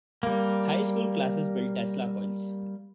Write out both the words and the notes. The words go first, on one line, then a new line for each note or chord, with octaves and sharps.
High school classes built Tesla coils.
G3 A#3